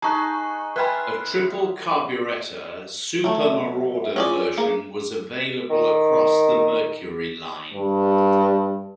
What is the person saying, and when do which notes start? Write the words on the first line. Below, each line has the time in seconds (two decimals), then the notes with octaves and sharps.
A triple-carburetor"Super Marauder" version was available across the Mercury line.
0.02 D#4 G#4 A5 A#5 C#6 F#6
0.76 B4 E5 G5 G#5 B5 C6 F6 F#6
3.24 F#3 A3 E5
4.16 C#4 F4 G#4 D5
4.58 A#3 G#4
5.70 D#3
7.74 G2